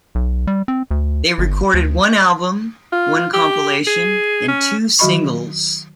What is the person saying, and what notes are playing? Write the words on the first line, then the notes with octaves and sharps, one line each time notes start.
They recorded one album, one compilation and two singles.
B1
G3
C4
D2
G1
D2
F4
G4
G#4
C#4
D#3 F#3 F#4 D#5 B5 C#6